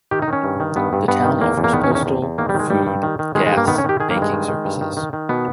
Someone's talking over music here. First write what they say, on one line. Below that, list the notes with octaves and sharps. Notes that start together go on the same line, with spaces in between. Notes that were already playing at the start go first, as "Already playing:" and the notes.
The town offers postal, food, gas, banking services.
D#3 G4
D#4
D#3
C#4
G2
D#3
G2 B3
G2
G2 B3
D#3
E2 A#3
E2
A#3
D#3 B3
C#4
E2
C#4
E2
E2
D#3 A#3
G3
D#3 G#3
G2 G3
G2
D#3
D#3
D#3 G#3
G#3
G2
A#3
D#3 B3
C#4
D#3 G4
D#3 G#4
A#3
G2
G#3
D#3
D#3
G2
D#3
D#3
D#3
B2 B3